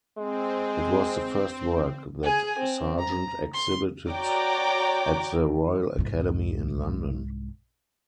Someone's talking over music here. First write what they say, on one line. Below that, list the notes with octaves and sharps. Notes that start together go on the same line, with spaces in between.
It was the first work that Sargent exhibited at the Royal Academy in London.
G#3 C4
G#4 G#5
C4
A#5
C6
F#4 C#5 D5 G5 A#5 D6
C2 G#2